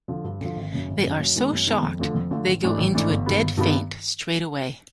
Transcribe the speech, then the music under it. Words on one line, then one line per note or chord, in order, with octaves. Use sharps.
They are so shocked they go into a dead faint straight away.
D3 F3
G2
D3 F3
G#1
F#2 C#3
G#1
F#2 C#3
F#2
D#3 G#3 B3
F#2
D#3 G#3 B3
F2
D3 F3 A3
F2
D3 F3 A3
A1
G#2 E3 A3 D4
A1
G#2 E3 A3 D4
G1
G2 D#3 G3 B3
G1
G2 D#3 G3 B3